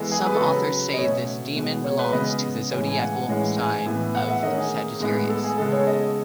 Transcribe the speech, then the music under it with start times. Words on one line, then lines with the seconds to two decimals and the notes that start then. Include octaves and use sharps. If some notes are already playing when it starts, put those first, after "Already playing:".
Some authors say this demon belongs to the zodiacal sign of Sagittarius.
Already playing: E3 G#3 B3 A4
0.12 G#4
0.26 B4
0.35 A4
0.41 C#3 F#3 C#4 B4
0.94 D#5
0.98 B2 A3 C#4 C#5
1.56 B2 G#3 B3
1.84 C#5
1.99 B4
2.13 C#3 G#3 B3 D#5
2.71 A2 E3 G#3 C#4
2.87 G#5
2.99 F#5
3.28 A2 E3 G#3 C#4
3.57 G#5
3.85 A2 E3 B3
4.15 F#5
4.29 E5
4.43 D#3 A3 C#4 D#5
4.57 G#4
5.00 A2 G#3 B3
5.29 A4
5.44 G#4
5.58 C#3 G#3 B3 A4
5.72 C#5
5.87 D#5